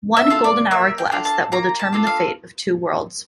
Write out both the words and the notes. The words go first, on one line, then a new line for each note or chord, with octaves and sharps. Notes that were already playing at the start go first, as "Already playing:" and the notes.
One Golden Hourglass that will determine the fate of two worlds.
E5
F4 A4
D5
A#3 E5
G5
D4 F4 A4
A5
A#3 A#5
A5
D4 F4 A4
F5